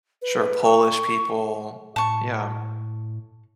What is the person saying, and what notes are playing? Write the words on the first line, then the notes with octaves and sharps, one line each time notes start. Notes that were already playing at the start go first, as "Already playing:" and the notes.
Sure. Polish people. Yeah.
B4
C#6
A2 A5 C#6